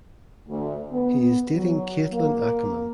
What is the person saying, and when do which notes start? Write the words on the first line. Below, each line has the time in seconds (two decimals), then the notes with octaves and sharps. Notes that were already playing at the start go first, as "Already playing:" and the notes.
He is dating Caitlin Akeman.
0.49 D2
0.92 B3
1.56 F#3
2.13 A#3